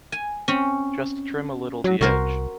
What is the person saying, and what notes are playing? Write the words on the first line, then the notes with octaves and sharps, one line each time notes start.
Just trim a little the edge.
G#5
C4 C#4
F#3
C2 F#4 A#4 C5